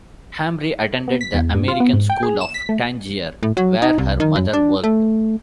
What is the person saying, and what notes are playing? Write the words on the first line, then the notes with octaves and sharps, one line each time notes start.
Hamri attended the American School of Tangier, where her mother worked.
B3
B6
E2
G2
F4
B3
G#2
G5
G#4
E7
B6
A3
A2
F#3
D#4
C2
D#3
F#2
D4
A3